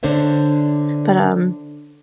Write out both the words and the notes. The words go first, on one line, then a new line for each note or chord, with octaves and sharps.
but, um,
D3 D4 C5 C#5 E5